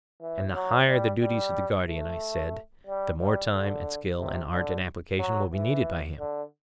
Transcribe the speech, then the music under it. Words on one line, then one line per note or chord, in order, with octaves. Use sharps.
And the higher the duties of the guardian, I said, the more time, and skill, and art, and application will be needed by him?
E3
F#3
G3
G3
A3
G3
G3
D3
C3
D3
F#3
E3
D3